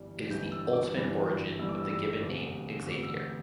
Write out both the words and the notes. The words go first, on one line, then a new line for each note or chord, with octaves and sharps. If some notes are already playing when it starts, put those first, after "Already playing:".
It is the ultimate origin of the given name Xavier.
Already playing: G1 G2 E3 G3
G1 G2 E3 G3 G6
E6
D6
G1 G2 E3 G3
G1 G2 E3 G3 E6
D6
E6
E6
E1 D2 C3 D6
E1 D2 C3 D6
E6
G6